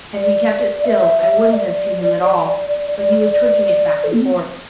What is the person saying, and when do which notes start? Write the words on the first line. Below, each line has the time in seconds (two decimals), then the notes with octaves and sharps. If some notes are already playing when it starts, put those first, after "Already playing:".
Had he kept it still I wouldn't have seen him at all; but he was twitching it back and forth.
0.15 D5
0.84 E5
1.48 E5
1.53 D5
2.92 D5
3.25 D5
3.95 D5
4.04 A4
4.13 A#3
4.20 C4